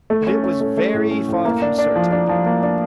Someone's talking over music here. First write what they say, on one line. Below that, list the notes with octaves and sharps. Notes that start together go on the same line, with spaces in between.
But it was very far from certain.
A3
C#4
C#4
A3
A3
A2
C#4
A2
A#3
D4
D4
F3
D4
F3
A#3
D4